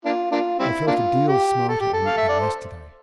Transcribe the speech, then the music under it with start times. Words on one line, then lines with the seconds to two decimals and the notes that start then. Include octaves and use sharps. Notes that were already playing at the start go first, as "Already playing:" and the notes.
I felt a deal smarter on it than yesterday.
0.05 A#3 D4 F4
0.32 A#3 D4 F4
0.60 G3 C4 E4
0.87 A#3 D4 F4
1.28 G4
1.69 A4
1.80 G4
1.93 A4
2.06 F5
2.17 E5
2.29 D5
2.40 C5